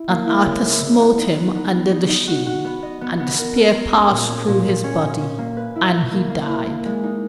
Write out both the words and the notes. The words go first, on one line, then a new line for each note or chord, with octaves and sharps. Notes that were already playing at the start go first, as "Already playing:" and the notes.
And Arthur smote him under the shield, and the spear passed through his body, and he died.
Already playing: E4
A#3
E4
C#3
E4
C#3
B3
D#4
B3
B3
B3
D#4
D#4
F#4
F#4
B3
D#5
B3
B3
A#4
A#4
A#4
C#4
A#2
C#4
A#2
A#2
C#4
A#2
C#4
A#3
B4
E4
B4
A#3
A#3
E4
A#3
G#3
D#4